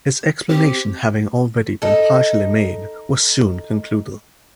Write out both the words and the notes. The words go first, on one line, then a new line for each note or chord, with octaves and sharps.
His explanation having already been partially made, was soon concluded.
C4 G4
D#4 A4